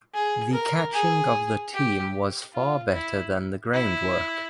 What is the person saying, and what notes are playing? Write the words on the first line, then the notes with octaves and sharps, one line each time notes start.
The catching of the team was far better than the ground work.
G#4
A#4
G#4
G4
F4
E4
E4